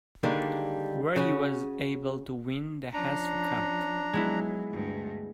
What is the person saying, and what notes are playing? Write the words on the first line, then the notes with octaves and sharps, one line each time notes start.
Where he was able to win the Hazfi Cup.
D3 D#3 G3 G#3 A#3 D4
C#3 C#4 F#4
F3 C#4 D4 A#5
F#3 G#3 B3 E4
D2 G2